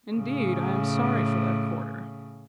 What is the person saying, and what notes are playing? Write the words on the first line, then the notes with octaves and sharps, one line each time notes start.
Indeed, I am sorry for that quarter.'
A2 C#3